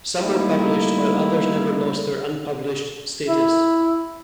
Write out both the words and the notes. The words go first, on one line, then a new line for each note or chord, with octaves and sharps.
Some were published while others never lost their "unpublished" status.
G3 A3 A#3 D#4 E4
E4